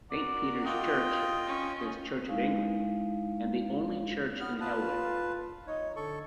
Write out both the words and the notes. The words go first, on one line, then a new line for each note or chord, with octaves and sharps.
Saint Peters church is Church of England and the only church in Elwick.
F#4 A#4 D5
F4 D#5 G5
C#4
G#3 D#4 E4 F5
B3 F6
F4 B4 A5
D#4 C#5
D3 A4 C#6